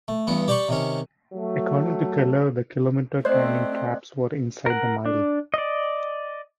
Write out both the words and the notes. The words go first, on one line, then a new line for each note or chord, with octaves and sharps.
According to Keller the kilometer timing traps were inside the mile.
A3
E2 G2 B3
G4 D5 G5 B5 C#6
C3 D#3 C#4
F#3 A3
A3 C4 C5 D5 D#5 F#6
A#4 F#5
D4
D5 D#5